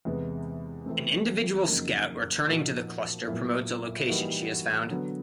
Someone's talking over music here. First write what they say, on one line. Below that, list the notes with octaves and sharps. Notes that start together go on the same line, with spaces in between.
An individual scout returning to the cluster promotes a location she has found.
E2 C3 E3 G#3 B3
E3 A3 C4
F2 C#3 F#3 A#3 D#4
A#2 F3 A#3 D#4 F#4
A#2 F#3 B3 E4
E3 G3 A#3 D#4 F#4
D3 F#3 B3